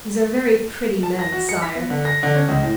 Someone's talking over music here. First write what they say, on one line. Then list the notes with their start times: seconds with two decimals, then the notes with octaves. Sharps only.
These are very pretty men, Sire.
1.03 A5
1.19 A#6
1.32 F#4
1.49 C#7
1.62 B6
1.75 B3
1.90 D3
2.05 A#6
2.23 D3
2.36 C#4
2.48 C#2
2.63 A2